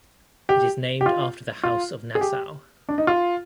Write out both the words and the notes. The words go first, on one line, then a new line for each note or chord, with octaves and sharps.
It is named after the House of Nassau.
G4
G4
F4
F4
G#4
G4
D4
D#4
F4